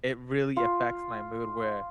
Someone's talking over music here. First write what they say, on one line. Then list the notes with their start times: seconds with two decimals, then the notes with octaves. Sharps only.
it really affects my mood where
0.57 F4